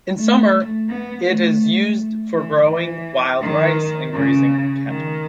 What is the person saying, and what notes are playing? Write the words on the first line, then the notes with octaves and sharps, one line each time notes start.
In summer it is used for growing wild rice and grazing cattle.
A3
B3
A3
E3
E3
D#3
C#3
D#3